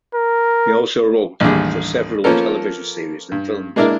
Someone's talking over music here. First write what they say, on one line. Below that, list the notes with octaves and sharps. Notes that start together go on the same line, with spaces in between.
He also wrote for several television series and films.
A#4
A1 D#2 D3 G3 G#4
F3 A#3 B3 C#4 A4 A#4
G2
G#3 A#3 D4 E4 A#4